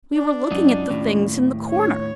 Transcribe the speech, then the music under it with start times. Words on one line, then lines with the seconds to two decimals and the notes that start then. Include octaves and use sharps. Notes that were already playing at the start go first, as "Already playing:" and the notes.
'We were looking at the things in the corner.'
0.15 D4
0.51 C#2 F#2 D#4
0.90 D#2 A2
1.70 A#1 C#5